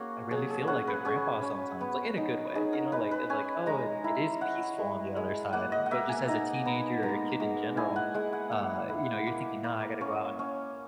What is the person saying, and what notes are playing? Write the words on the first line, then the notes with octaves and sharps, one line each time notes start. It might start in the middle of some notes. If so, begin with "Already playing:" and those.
I really feel like a grandpa sometimes, like, in a good way, you know, like it like, "Oh, it it is peaceful on the other side." But just as a teenager or a kid in general, uh, you know, you're thinking, "No, I gotta go out and
Already playing: A#3 C#4 F#4 G#4
F#3 G#4
G#4
C#4 F#5
B4
C#4 G#4
C#4
B3
D#4
D#4 G#4
A#4
D#4 B4
B4
C#4 G#5
G#3 A#5
E4 A#5
E4 F#5
G#3
G#3
A#3 F#5
D#5
F#5
A#3 E5
G#5
D#4 A#5
B3 A#5
G#3 A#5
G#3
E4 G#5
F#5
G#3 F#5
F#5
A#3 F#5
E4
A#3
A#3
C#4
C#4